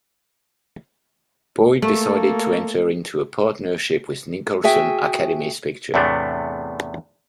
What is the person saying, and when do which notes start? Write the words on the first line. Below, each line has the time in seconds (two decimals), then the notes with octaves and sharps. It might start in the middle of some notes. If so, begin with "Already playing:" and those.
Boyd decided to enter into a partnership with Nicholson's Academy Pictures.
1.82 A3 A#3 A4 C#6
4.64 F#4 G#4 E5 G5
5.94 E2 A2 C3 A3 B3 D4